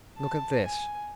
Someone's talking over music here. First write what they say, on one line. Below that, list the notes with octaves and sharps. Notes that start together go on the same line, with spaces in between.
"Look at this!"
A5
G#5